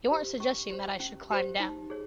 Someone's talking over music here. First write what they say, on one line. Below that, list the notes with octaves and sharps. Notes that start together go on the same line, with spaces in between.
You aren't suggesting that I should climb down?
G4 C5
C#4 C#6
G4 C5
C#4
G4 C5
D#4
G#4 C#5